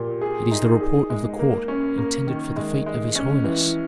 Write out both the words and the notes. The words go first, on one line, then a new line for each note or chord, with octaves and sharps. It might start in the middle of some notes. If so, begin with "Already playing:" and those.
"It is the report of the court intended for the feet of his holiness."
Already playing: A#2 G4
G#4
D#4
G#4
G#3
A#3
C#4
A#3
D#3
G#3
G#3
C#4
E3